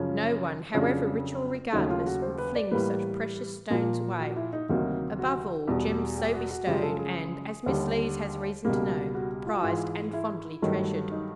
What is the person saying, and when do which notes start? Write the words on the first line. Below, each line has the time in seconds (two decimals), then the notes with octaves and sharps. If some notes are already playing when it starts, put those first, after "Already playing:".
No one, however rich or regardless, would fling such precious stones away; above all, gems so bestowed, and, as Miss Lees has reason to know, prized and fondly treasured.
Already playing: F#2 C#3 F3 C#4
0.74 F2 C#3 F#3 D4
1.73 D#2 C#3 F#3 A3 D#4
1.90 F4
2.06 F#4
2.22 C5
2.38 B4
2.56 D5
2.71 A2 E3 G3 A#3 B4
3.70 A#2 F3 A#3
4.20 F#4
4.36 E4
4.53 D#4
4.69 D2 C3 D#3 F#3 A#3 D#4
5.19 F#4
5.68 E2 B2 G3
6.17 G4
6.34 F#4
6.51 F#4
6.67 F#2 C#3 F3 G#3 G4
6.83 A4
6.99 G#4
7.66 D#2 D3 G3
8.65 C#2 B2 G3 A#3
9.15 F#4
9.46 F4
9.54 F#4
9.62 G#2 E3 G#3 F4
10.13 E4
10.62 G2 D#3 F#3 A3
11.11 D#4